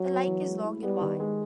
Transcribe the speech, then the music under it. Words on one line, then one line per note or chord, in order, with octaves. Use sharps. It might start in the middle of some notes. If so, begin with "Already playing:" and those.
The lake is long and wide.
Already playing: F#3
B3
E3
G#3
E4
G3 B3
D#3
G#3